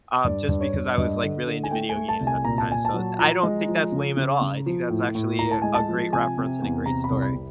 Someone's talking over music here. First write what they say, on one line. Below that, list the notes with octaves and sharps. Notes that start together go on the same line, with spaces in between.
um, just because I was, like, really into video games at the time. So d I don't think that's lame at all, I think that's actually a great reference and a great story.
G2 D5
G2
C#5
G2
G2 D#5
D3
D3
G#5
A3 G5
G#5
A3
A5
C2
G#5
A#2 A#5
A5
A#2 G#5
A5
F#3
F3 A#5
G#3
F3
C#3
C#3
C#3
F3
A2
A2
A2 A#5
A5
G#3 G#5
A5
F3
C3 G#5
C3
E2
C3 A#5
B5
C2
B5
C3